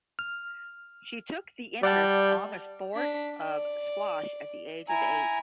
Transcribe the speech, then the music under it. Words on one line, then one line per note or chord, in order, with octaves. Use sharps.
She took the interest on the sport of squash at the age of eight.
F6
G3 D5 F#5 A5
D4 B6
D5
E4 G#5 A#5